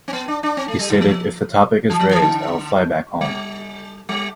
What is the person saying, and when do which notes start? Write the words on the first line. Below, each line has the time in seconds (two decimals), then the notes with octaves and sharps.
He stated "If the topic is raised, I will fly back home".
0.08 C4
0.13 B3
0.28 D4
0.43 D4
0.57 C4
0.68 A3
0.79 G3
0.90 D3
1.01 F3
1.90 E3
2.00 F3
2.11 E3
2.22 D3
3.21 G3
4.09 G3